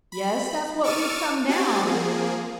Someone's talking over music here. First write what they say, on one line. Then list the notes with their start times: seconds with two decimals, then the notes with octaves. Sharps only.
"Yes; that's what we've come down."
0.12 B5
0.84 C#6 D6 E6 F6 A6 D#7
1.48 C4 F#4 G4 G#5 A6
1.83 F3 A#3 G#4